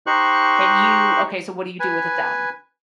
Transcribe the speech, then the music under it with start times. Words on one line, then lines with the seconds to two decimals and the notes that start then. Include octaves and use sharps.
And you okay, so, what do you do with it then?
0.07 D#4 G4 C5 C#6 F#6
1.80 B4 G#5